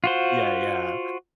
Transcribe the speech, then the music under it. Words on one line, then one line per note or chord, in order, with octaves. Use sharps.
Yeah, yeah,
F4 F#4 C5